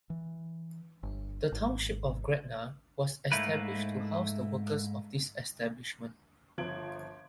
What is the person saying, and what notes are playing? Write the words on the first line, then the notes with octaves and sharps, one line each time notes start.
The township of Gretna was established to house the workers of this establishment.
E3
G1
G#1
G#2 A3 A#3 E4 B4
G1 F3 G#6 D7 F#7